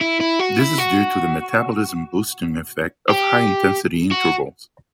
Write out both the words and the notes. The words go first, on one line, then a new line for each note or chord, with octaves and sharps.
This is due to the metabolism-boosting effects of high intensity intervals.
E4
E4
F#4
E4
F#4
G4
F#4